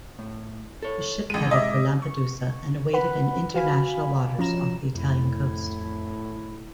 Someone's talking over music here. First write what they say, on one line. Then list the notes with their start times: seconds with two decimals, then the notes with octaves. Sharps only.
The ship headed for Lampedusa and awaited in international waters off the Italian coast.
0.19 A2
0.83 A4 C#5
1.30 A1 E3 G#3 D#7
1.51 G#2 D#5 E5 D6
2.02 C#6
2.93 B4 F#5 B5
3.54 F#4 F5 G#5 B5
4.39 F3 C#4 A#5 E7
4.95 F2 A2 E4